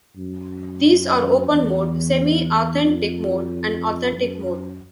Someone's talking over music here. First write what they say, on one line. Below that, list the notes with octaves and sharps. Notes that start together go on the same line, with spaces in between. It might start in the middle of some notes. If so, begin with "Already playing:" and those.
These are Open Mode, Semi-Authentic Mode and Authentic Mode.
F#2
E2
F2
F#2